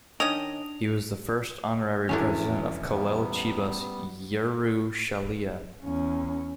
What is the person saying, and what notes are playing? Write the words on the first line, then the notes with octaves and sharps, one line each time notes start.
He was the first Honorary President of Kolel Chibas Yerushalayim.
D#3 C#4 D4 D#5 D#6 F7
F1 E2 B2 A3 C#4 D4 E4 G#5
G3 B3
E2 C#4